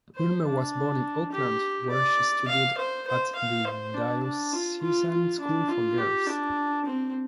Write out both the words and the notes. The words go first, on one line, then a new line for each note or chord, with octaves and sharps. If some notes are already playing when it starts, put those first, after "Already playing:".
Ulmer was born in Auckland, where she studied at the Diocesan School for Girls.
C5
D4
G4
D5
F5
C5
C5
F5
C5
D4
D4
F4
F4
F4
D4
F4
G4
D4
C4